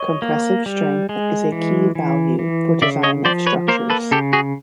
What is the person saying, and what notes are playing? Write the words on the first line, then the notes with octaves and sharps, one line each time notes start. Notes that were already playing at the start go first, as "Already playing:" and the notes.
Compressive strength is a key value for design of structures.
Already playing: C#5 D#5
A#3
G3
G#3
E3
E3
E3
C#3 D5 E5
C#5 D#5
F3 C5 D5
B4 C#5
A#3 A#4 C5
A4 B4
C#3 G4 A4
F#4 G#4